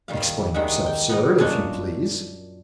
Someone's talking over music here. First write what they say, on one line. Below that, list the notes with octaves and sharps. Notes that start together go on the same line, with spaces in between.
"Explain yourself, sir, if you please."
D#3 G3 F5
D#3 G3 G#3 D#4 E5 F#5
G5
B3 D#4 A#4
F#2 A#2 D4 C#5 D#5 F5